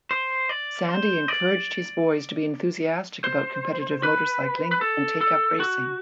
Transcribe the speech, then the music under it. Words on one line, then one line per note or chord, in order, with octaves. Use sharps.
Sandy encouraged his boys to be enthusiastic about competitive motorcycling and take up racing.
C5
D5
C5
D5
C5
B4
B4
A4
A4
F#4